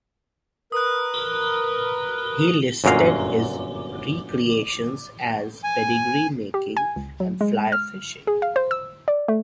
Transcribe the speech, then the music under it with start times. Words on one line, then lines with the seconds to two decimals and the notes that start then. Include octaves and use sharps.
He listed his recreations as pedigree making and fly fishing.
0.72 A#4 B4 D#6 F#6
2.84 G1 F#2 A#2 F#3 F5
5.64 G#5
6.54 G4
6.77 G#5
6.96 C#2
7.20 F#3
7.41 G#3
7.72 F6
8.27 G#4
8.42 F5
8.56 C5
8.71 E6
9.08 D5
9.28 A3